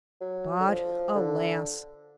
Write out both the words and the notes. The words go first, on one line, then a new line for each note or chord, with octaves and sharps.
But alas!
F#3
D3
F3
D3